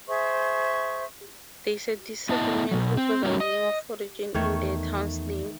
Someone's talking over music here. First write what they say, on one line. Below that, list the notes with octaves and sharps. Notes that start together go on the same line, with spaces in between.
There is disagreement over the meaning and origin of the town's name.
G#4 C5 E5 C#6
B3 E4 D#5 A5
B2 F#3
C4
G3 A3 C#4 D#4 A#4 C#5
D#5
E2 D#3 A3 C#5